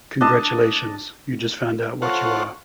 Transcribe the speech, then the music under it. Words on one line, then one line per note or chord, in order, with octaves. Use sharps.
Congratulations, you just found out what you are.
D4 D#5 A5
F4 A4 C5 C#5 F#5